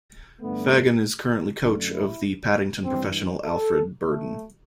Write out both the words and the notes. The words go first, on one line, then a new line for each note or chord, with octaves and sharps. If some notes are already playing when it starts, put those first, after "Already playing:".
Fagan is currently coach of the Paddington professional Alfred Burden.
G2 D3 A3 B3
F#2 D3 A3 D4
E4
G2 E3 G3 C4
A4
A3